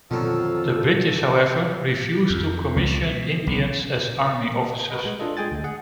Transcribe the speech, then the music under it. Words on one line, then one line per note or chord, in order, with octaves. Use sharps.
The British, however, refused to commission Indians as army officers.
F2 B2 D3 D#3 F#3 F4 A5 E6
F2
C#2
B2
B1
F#4 A#4 B4 D#5
G#3
D4 F4 G#4 A4 D#5
G#3 G#4 G5 G#5 A6
D2
G#4 F#5